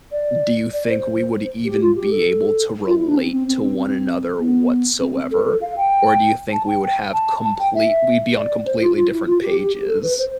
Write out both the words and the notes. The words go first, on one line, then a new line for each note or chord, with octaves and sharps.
do you think we would even be able to relate to one another whatsoever, or do you think we would have complete we'd be on completely different pages?
D5
D5
C5
G4
F4
G4
A4
F4
E4
D4
C4
C4
C4
C4
C4
B3
C4
C4
A4
A4
F5
G5
A5
G5
G5
A5
A5
G5
E5
D5
C5
F4
F4
E4
F4
G4
G4
G4
A4
B4
C5